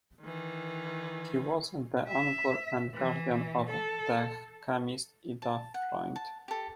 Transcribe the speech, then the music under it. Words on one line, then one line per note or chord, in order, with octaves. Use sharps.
He was the uncle and guardian of the chemist Ida Freund.
D#3 E3
E5
E3
A4
A5
F#5
A5
G4 A4